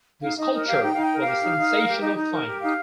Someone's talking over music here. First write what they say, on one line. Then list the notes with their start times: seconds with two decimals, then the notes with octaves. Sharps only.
The sculpture was a sensational find.
0.23 D#4 F5
0.37 D#4 D#5
0.53 A#4 D#5
0.67 G4 F5
0.82 D#4 G5
0.93 D#4 F5
1.02 G5
1.12 A#4
1.22 F5
1.27 G4
1.42 D#4
1.57 D#4
1.71 A#4
1.87 G4
2.01 D#4 D#5
2.16 D#4
2.31 A#4
2.47 G4
2.61 D#4 F5